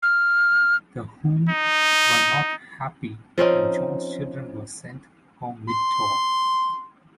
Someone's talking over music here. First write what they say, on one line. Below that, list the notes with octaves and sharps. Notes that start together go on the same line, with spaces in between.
The Who were not happy and John's Children were sent home mid-tour.
F6
D#4
F3 C4 C#4 D#4
C6